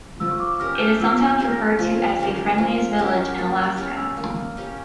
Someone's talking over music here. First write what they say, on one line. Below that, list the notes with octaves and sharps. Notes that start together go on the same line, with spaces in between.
It is sometimes referred to as the friendliest village in Alaska.
F3 E6
C#6
D6
C#4 G4 A#4 F6
G6
F6
F3 E6
G6
C#4 G4 A#4
A#6
F3
C#4 G4 A#4
F3
C#4 G4 A#4
A#3 A6
G6
C#4 G4 C#5 F6
E6
A#3
C#4 G4 C#5